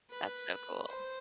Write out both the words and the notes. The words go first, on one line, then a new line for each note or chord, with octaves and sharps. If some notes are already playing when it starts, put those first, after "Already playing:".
That's so cool.
B4
C5